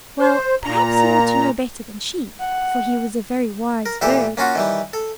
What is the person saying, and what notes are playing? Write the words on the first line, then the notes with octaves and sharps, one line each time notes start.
Well, perhaps he ought to know better than she, for he was a very wise bird.
C5
A#2 A#5
F#5
A#4
A#2 E3 G4 A4 A5
A#3 C#4 F4 F#4
D#3 E3 G3
A4